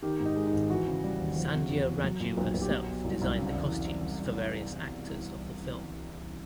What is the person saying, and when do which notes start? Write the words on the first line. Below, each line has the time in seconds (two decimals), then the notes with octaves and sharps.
Sandhya Raju herself designed the costumes for various actors of the film.
0.02 D#3 G4
0.20 G#2
0.25 D#4
0.36 G#3
0.47 D#4
0.53 G#1
0.70 E3 F#4
0.87 C#3
1.03 G3
1.20 D#2
1.36 F3
1.53 C3
1.70 E2
1.87 E2
2.03 F#3
2.20 A#2
2.37 B1
2.54 B1
2.62 G4
2.70 F#3 F#4
2.87 B2
3.04 C2
3.21 C2
3.38 C#3
3.54 E2